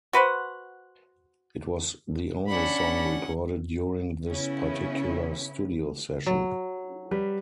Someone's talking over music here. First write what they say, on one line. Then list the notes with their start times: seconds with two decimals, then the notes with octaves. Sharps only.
It was the only song recorded during this particular studio session.
0.13 F#4 B4 C5 F#5
2.49 C#4 D4 F#5 B5
4.30 C#3 B3 C#4 E4
6.26 F#3
7.11 G3 B4